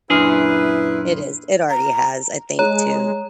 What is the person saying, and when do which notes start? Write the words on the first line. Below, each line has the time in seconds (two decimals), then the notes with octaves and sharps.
It is, it already has, I think, to
0.10 F#2 A#2 D4 E4 G#4 B4 F6 C7
1.70 A#5
2.59 G#3 C#5 A#5